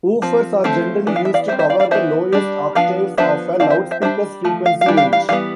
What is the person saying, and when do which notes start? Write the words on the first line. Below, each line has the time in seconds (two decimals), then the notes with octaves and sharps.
Woofers are generally used to cover the lowest octaves of a loudspeaker's frequency range.
0.22 F3 C4
0.64 F3 A3 C4
1.07 E3 B3 D4
1.16 F5
1.25 E5
1.34 D5 F5
1.48 G3 C5 E5
1.52 C4
1.59 C5 E5
1.70 D5 F5
1.80 D5 F5
1.91 E3 B3 D4 C5 E5
2.33 G3 D4
2.75 F3 B3 D4 F5
3.18 F3 B3 D4 C5 E5
3.60 F3 C4 D5 F5
3.70 C5 E5
3.91 C5 E5
4.02 G3 D4 C5 E5
4.45 F3 A3
4.66 F5
4.81 F5
4.86 E3 G3 D4
4.97 F5
5.13 F5
5.29 E3 G3 B3 F5